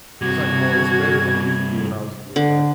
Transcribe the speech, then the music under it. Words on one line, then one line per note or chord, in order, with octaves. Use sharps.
it's, like, more it's better than it used to be when I was a kid, right,
G2 C3 F#4 G#6
D3